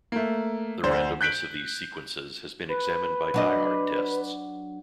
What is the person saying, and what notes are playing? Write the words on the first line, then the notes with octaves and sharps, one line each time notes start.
The randomness of these sequences has been examined by diehard tests.
A3 A#3
D2 D3 C5
F#6 G6 B6 D7 F#7
B4
F#3 D4 D#5